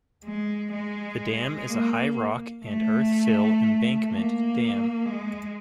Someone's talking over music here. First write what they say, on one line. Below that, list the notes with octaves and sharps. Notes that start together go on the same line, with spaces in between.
The dam is a high rock and earth-fill embankment dam.
G#3
G#3
A#3
A3
A#3
G#3